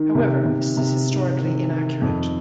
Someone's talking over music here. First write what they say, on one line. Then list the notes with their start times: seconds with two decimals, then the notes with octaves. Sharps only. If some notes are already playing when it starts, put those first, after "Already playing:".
However, this is historically inaccurate.
Already playing: D#3
0.15 C3
0.46 C3
0.77 C3
1.08 G#2
1.39 D#3
1.70 D#3
2.01 F2